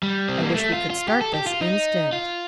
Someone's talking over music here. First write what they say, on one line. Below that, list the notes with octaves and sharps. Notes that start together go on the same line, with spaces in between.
"I wish we could start this instant."
G3
C4
A#3
A3
F4
F4
G4
A4
G4
F4
D#4
F4